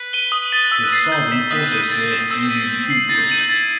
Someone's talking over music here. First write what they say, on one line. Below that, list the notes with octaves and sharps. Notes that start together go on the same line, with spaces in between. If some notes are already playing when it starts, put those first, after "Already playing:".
This siding also served Union Tube Works.
Already playing: B4
D#7 G7
D#6
A6 D#7 G7
E6
A6 C7
G6
B6 E7 G7
B4 D#6
G6 D#7 G7
C4 A6
C7 E7
C4 E6
B6 D#7 F#7
G6
C7 F#7
D#4 A6
D#7 F#7
E4 A6